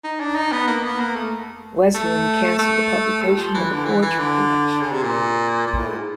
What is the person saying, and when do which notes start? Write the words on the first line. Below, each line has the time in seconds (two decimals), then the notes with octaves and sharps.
Wesleyan cancelled the publication of the poetry collection.
0.04 D#4
0.20 D4
0.36 D#4
0.52 B3
0.67 A#3
0.84 B3
1.00 A#3
1.15 A3
1.95 A3
2.59 A3
3.22 G3
3.38 F3
3.54 E3
3.70 D3
3.86 E3
4.02 E3
4.18 D3
4.81 C#3
4.92 C3
5.03 A#2
5.67 A#2
5.77 A2
5.88 G#2